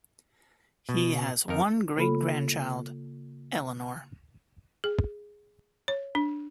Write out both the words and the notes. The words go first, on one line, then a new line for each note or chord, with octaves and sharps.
He has one great grandchild—Eleanor.
B2
F2 D#4 A#4
C#3 A#3 F4 A4 B5
G#4
C#5
D4